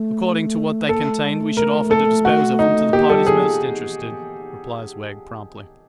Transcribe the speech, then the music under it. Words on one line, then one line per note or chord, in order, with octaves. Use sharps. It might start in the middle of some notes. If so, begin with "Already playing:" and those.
'According to what they contained we should offer to dispose of 'em to the parties most interested,' replies Wegg, promptly.
Already playing: A3
A#3 A4
A3
G#3
A3
A#4
A4
F#4
D#4
A#3 G4
G3 A4
F#3 G#4